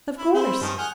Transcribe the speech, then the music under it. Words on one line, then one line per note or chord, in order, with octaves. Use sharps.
"Of course."
E4
C4 E4 C5
G2 D#3 F3 C#4
G#4 F#5 F6 G6